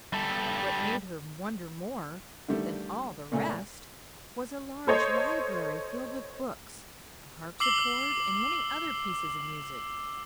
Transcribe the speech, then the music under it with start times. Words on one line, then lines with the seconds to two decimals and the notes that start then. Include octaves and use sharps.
What made her wonder more than all the rest was a large library filled with books, a harpsichord, and many other pieces of music.
0.13 G3 A4
2.48 D3 D#3 G3 A3
3.32 A#2 C#3 G#3 A3
4.87 A4 C5 C#5 D#5
7.60 D6 E6 C7 F#7 G7